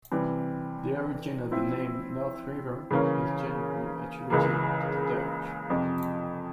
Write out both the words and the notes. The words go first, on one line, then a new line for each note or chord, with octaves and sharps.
The origin of the name "North River" is generally attributed to the Dutch.
C3 E3 G3
F3 C4 E4
C#3 E3 A#3 C#4
C#2 C#3 E3 A#3
F2 C3 F3